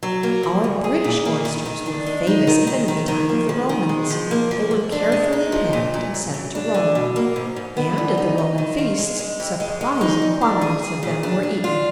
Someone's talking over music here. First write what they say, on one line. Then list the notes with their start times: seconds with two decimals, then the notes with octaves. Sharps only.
Our British Oysters were famous even in the time of the Romans; they were carefully packed and sent to Rome, and, at the Roman feasts, surprising quantities of them were eaten.
0.03 F#3
0.23 A#3
0.43 F3
0.64 D2
0.84 G#4
1.04 A#2
1.25 A#3
1.45 D#3
1.66 D#3
1.86 D4
2.06 G#3
2.27 D#4
2.47 D#3
2.67 D#3
2.88 D#3
3.08 D#3
3.29 A#3
3.49 F3
3.69 D#3
3.89 G#3
4.10 F3
4.31 A#3
4.51 F3
4.71 F3
4.92 D4
5.12 G#3
5.33 D#4
5.52 F3
5.73 A#2
5.94 A#2
6.14 F#2
6.34 F#2
6.55 D4
6.74 D3
6.95 B2
7.16 A#3
7.36 G#2
7.56 G#2
7.77 B3
7.98 D2
8.18 D#4
8.38 D#4
8.58 D#3
8.78 F4
8.99 G#3
9.19 G#3
9.40 F2
9.60 G#3
9.81 G#3
10.01 D#4
10.22 D2
10.41 D4
10.61 G#4
10.82 G#4
11.03 A#2
11.23 D4
11.43 D4
11.64 F4